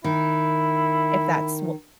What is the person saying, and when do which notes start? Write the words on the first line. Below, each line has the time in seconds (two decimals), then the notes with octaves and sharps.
if that's wh
0.04 D#3 E4